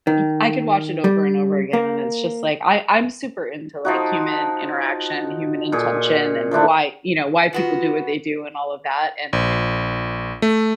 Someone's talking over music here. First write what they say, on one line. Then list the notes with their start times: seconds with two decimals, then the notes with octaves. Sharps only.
y I could watch it over and over again, and it's just like, I I'm super into, like, human interaction, human intention, and why, you know, why people do what they do and all of that. And
0.07 D#3
1.04 G3
1.73 A#3
3.85 F3 D#4 F#4
5.72 A#2 G#4
6.51 F3 A3 D4 E4
7.53 D#3 B3 F4 F#4
9.33 A#1
10.42 A3